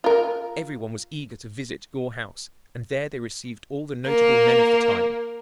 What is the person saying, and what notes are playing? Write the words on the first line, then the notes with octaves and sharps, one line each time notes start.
Every one was eager to visit Gore House, and there they received all the notable men of the time.
F4 A#4
A#3